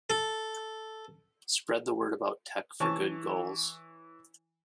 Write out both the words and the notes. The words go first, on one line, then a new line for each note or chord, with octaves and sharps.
Spread the word about tech for good goals.
A4
E3 C#5 G#5 A5 C#6